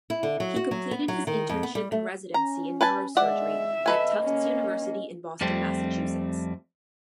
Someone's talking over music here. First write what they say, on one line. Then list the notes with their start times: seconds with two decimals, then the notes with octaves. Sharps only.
He completed his internship and residency in Neurosurgery at Tufts University in Boston, Massachusetts.
0.10 E4
0.23 D3
0.40 F#3
0.56 F#4
0.71 F#3
0.91 B3
1.08 F#3
1.27 D#3
1.49 F2
1.63 B3
1.75 G3
1.92 A3
2.34 C#4 A#5
2.81 B4 G#5 A5
3.17 G#3 D5 E5 F#5
3.86 A4 B4 D#5 G#5
4.23 A#3 C#4
5.41 F2 G3 A3 C4